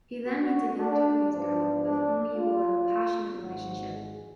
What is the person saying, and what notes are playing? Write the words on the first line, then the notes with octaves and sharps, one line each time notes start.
He then meets a young Japanese girl with whom he will live a passionate relationship.
F#4
D4
G#2 F3 B3 D4
D4
F4
G#1 G#2 F3 G#3 F#4
G#4